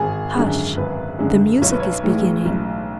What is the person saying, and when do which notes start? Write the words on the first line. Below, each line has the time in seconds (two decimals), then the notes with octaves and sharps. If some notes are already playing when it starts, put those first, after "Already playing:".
Hush! the music is beginning.'
Already playing: G#1 G#4
0.35 F#2 D3 G#3
0.77 G#1 B4
1.19 F#2 D3 G#3
1.62 B1 C#5
1.72 B4
1.80 C#5
2.03 A2 E3 G#3
2.46 B1